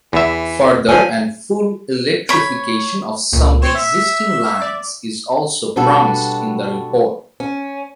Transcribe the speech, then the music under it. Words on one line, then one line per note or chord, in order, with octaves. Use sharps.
Further and full electrification of some existing lines is also promised in the report.
E2 E3 E5
F3 G#5
C#5 B5
C#2 A#2
C4 C5 C#5 E7
E5
D5
B2 G3 D4 F#4 A4
C#4